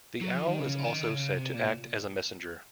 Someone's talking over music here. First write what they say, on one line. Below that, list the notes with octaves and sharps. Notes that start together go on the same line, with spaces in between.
The owl is also said to act as a messenger.
F#3
F3
D#3
C#3
D#3
C#3
C3
A#2